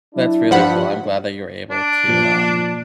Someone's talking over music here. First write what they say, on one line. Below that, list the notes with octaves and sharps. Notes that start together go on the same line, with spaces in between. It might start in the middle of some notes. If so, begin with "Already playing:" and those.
That's really cool, I'm glad that you're able to, um
F#3 D4 E4
G2 F3 F#5 B5
D4
A#2 F3